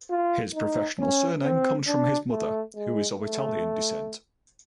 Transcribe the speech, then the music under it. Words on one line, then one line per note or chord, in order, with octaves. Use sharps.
His professional surname comes from his mother, who is of Italian descent.
F4
D#4
C#4
C4
D4
A3
G#3
A3